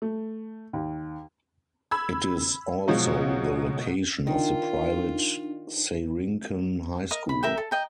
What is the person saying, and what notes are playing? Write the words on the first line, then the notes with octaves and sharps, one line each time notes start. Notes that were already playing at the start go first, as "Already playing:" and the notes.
It is also the location of the private Seirinkan High School.
A3
D#2
B5 E6 G#6
B2 F3 F#3 G#3
D#3 D4 D#4 F4
A#4 D#5
B5
A#4 E5 G5
A4
D#5 G5 A#5